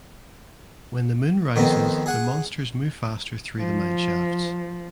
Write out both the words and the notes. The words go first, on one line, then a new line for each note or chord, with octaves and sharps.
When the moon rises the monsters move faster through the mine shafts.
F2 D#3 B3 C4
G#4 F#5 C#6
F3